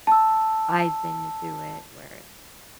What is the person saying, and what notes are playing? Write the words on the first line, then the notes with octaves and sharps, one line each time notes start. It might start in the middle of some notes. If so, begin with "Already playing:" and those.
I've been through it where
A5 E6